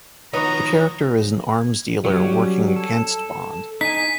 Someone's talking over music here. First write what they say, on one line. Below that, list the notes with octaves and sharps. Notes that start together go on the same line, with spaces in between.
The character is an arms dealer working against Bond.
D#3 F3 B3 D#4 F#4 C#5 A#5 D#6
F#3 G3 C#4
A4
D#4 G#5 B6